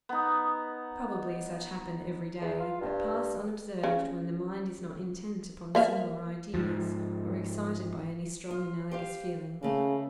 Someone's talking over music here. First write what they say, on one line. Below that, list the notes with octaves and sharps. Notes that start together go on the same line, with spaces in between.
Probably such happen every day, but pass unobserved when the mind is not intent upon similar ideas, or excited by any strong analogous feeling.
B3 D#4
E2
F4
G2
C#3
A#3 E5 F5
G#2 F3
F4
G4 C5 F5
C#3 A3 A#3